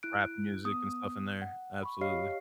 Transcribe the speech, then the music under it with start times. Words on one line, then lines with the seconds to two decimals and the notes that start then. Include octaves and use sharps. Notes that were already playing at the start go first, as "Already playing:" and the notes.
Rap music and stuff in there. Absolutely.
0.03 E4 F#6 D7
0.65 B3 D#6
1.42 F#5
1.83 B5 C#6
2.01 G4 C#5 D#5 F5 F6 C7